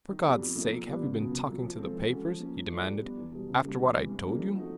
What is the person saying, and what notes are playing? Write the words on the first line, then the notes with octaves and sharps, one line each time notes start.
"For God's sake, have you been talking to the papers?" he demanded. "After what I told you...."
D#3
F#3 B3 D4 G4
F2
D3 F3 A#3 D#4
A#2
G3 B3 D4
C#2
B2 F#3 B3
C2
A#2 F#3
F3
G#3 C4 F4 A4
E3
G#3 C#4 F#4 A4
F3
A#3 C#4
F3
A3 D4 F4
G3
B3 D4
E2
B2 G3
C#2
B2 G3 A#3
E2
C3 E3 G#3
G2
D3 G3 A#3 C#4
F3
A3 C4 D#4 F#4